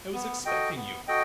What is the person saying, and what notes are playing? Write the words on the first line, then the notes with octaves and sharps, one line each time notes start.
I was expecting you.
B3
F#4 A4 D#5 G5
B3
F#4 A4 D#5 G5